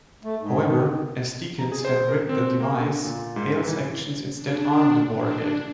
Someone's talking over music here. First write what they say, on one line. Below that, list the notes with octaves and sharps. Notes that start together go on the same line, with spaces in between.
However, as Deakins had rigged the device, Hale's actions instead arm the warhead.
A3
G#2
D#3
A#5
G#4
C5
A#4
C4
A#3
D3
A#2
G#2
E3
D4
D4